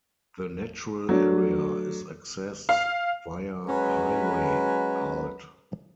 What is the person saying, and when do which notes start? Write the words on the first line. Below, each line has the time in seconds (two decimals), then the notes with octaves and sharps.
The natural area is accessed via Highway Alt.
1.09 F#3 A3 D4
2.69 F5
3.66 F#3 G#3 C#4 B4